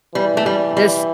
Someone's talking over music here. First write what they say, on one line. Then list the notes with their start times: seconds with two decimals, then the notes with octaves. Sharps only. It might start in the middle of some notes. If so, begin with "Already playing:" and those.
and this
0.15 E3 G3
0.37 A3
0.46 G3
0.77 G3